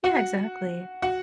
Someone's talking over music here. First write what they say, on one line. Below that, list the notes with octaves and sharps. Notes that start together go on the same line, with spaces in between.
Yeah, exactly.
F#4 F#5
F#4 F#5